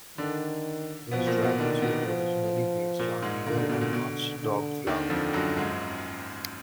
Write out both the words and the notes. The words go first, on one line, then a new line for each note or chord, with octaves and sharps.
Those dragons were originally based on Real and Muff's dog Flower.
D3 D#3 D4
B2 F3 B3
A#2 A#3
B2 B3
D3 D#3 D4
B2 B3
F3
A#2 A#3
G#2 G#3
A#2 D3 A#3
A#2 A#3
B2
A#2
B2 D3
D3
D#2 D3 D#3
F2 F3
F#2 F#3
G#2 G#3